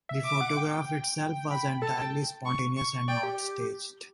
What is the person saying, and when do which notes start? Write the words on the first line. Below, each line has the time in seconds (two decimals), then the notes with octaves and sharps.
The photograph itself was entirely spontaneous and not staged.
0.09 E5
0.25 E5 D6
0.41 F#5
0.57 G5
1.51 B5
1.82 A4 A5
1.98 G5
2.46 C#6
2.77 C#6
3.08 D5 G5
3.23 G4